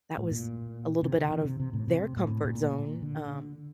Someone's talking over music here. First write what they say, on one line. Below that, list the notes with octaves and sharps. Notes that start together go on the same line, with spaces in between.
that was a little bit out of their comfort zone, um,
A2
A#2
C3
D3
E3
C3
C3
A2
C3
A2
A#2
D3